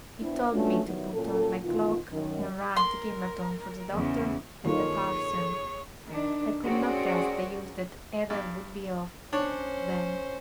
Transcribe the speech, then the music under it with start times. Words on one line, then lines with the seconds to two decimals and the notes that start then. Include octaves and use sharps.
He told me to put on my cloak and run to Gimmerton for the doctor and the parson. I could not guess the use that either would be of, then.
0.21 B3 C4 D4 E4
0.52 A3 C#4 D4 F4 F#4 B4
0.85 D#3 F#3 G3 B3 E4
1.13 F#2 A#2 C#4 A4
1.62 B2 D#3 E3 F4
2.12 F#2 D#3
2.77 A#4 C6
3.94 E2 C#3
4.65 G2 D#3 A#3 C4 F4 G#4 A4 C#5
6.06 D#3 D4
6.62 C4 C#4 F#4 G#4 A#4 D5
8.30 G2
9.33 C#4 D4 C5 C#5